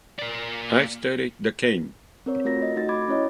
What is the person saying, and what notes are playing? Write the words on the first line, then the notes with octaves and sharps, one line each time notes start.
I've studied the game.
A#3 D5
C4 A#4 C#5
A3 F4 F#4 A#4 A#6
D#5
A3 D#4 F#4 A6
B5 D6 G#6 A6
C#4 E4 C#5 D#5